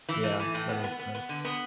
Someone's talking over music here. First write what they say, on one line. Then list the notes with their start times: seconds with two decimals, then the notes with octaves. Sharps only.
Yeah, that makes sense.
0.09 E3
0.24 A3
0.39 E3
0.54 A2
0.69 B3
0.84 B3
0.99 B3
1.15 B3
1.29 D3
1.45 B3